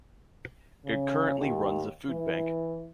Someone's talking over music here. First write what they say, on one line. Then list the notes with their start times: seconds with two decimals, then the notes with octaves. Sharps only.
It currently runs a Food Bank.
0.86 C#3
1.39 D#2
2.10 E3